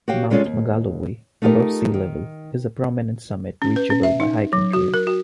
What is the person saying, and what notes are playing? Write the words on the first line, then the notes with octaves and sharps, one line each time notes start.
Mount Magalloway, above sea level, is a prominent summit reachable by hiking trail.
F#4 G4 C#5 F5 G5
G3 G#3 C#4 F4 G#4 A4
D#2
A3 D#4 F4 G4 A#4
D#3
C#4
B4
C#4
E5
D#4
F#3
F#4
A#4
F#4